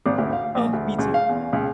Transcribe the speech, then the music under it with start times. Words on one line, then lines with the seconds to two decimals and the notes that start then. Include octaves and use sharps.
Oh, me too.
0.06 G#1
0.18 D2
0.33 F5
0.55 A#1
0.73 D2
0.99 C#2
1.14 F5
1.29 E2
1.53 C#2